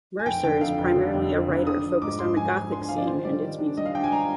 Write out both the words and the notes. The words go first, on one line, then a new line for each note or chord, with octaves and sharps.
Mercer is primarily a writer focused on the gothic scene and its music.
G#5
F1 G5
D3 G5
F2 F5
F1
D3
F2
F2
D3
D4 D#6
F3
G#2 D6
G#2 C6
F3 G#5
F3
D4 C6
G#5
F3 F5
D5
D#3 C5
G3 D5
D#3
D4
G3 D#5
F5
D4 G5
G#5
G3 A#5